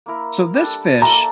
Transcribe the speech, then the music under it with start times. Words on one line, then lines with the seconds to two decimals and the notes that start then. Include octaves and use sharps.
so this fish
0.06 A#3 E4 A#4
0.54 G3 D4 A4
1.02 A#3 E4 A4 D5 A#5